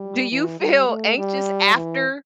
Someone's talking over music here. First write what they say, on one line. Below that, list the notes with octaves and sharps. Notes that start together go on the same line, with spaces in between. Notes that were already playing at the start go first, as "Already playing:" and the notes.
do you feel anxious after?
Already playing: G3
E3
G3
A3
G3
E3